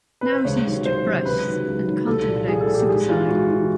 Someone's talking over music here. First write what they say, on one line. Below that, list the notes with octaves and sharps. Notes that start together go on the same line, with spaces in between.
Now he's depressed, and contemplating suicide.
B4
C5
C#2 C#5
C3 D#3 F#3
C#2 C5
C3 D#3 F#3
C#2 B4
C3 D#3 F#3
C#2
C3 D#3 F#3
C2 A4
A#2 F3
C2 G#4
A4
A#2 F3
G4
G#2 G#4
E3 F4
G#2 F#4
E3